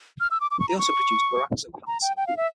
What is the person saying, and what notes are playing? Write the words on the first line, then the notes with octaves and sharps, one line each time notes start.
They also produced Boraxo hand soap.
F6
E6
D6
D6
C#6
A#5
C#6
A#5
G5
G5
F5
E5